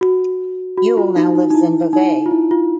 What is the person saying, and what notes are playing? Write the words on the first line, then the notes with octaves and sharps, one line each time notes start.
Uhl now lives in Vevey.
F#4
F#4
F4
D#4
D#4
D#4
E4
D#4
F4
E4
F4